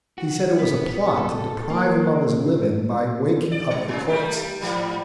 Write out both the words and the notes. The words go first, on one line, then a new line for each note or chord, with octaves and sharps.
He said it was a plot to deprive him of his living by waking up the corpses.
F#4
B3
A4
A#3
D5
G#3
A2 C#4
G3 A3 G4
G#2 F3 G3